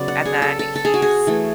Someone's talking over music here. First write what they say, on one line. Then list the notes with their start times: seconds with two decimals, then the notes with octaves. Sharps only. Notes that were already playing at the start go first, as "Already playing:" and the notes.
and then he's
Already playing: C#3 F#3 B3 F#4 D5
0.08 F#5
0.25 G#4
0.42 A4
0.59 A4
0.75 A4
0.85 G#4
0.94 F#4
1.02 G#4
1.27 E3 A3